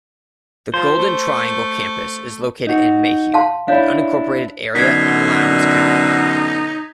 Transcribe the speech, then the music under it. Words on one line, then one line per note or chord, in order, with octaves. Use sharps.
The Golden Triangle Campus is located in Mayhew, an unincorporated area in Lowndes County.
F3 C5
A3
D#4 F#4
F5 A5 C6
D4 E4 C#5 F5
F#2 B2 D3 D#4 G#6 B6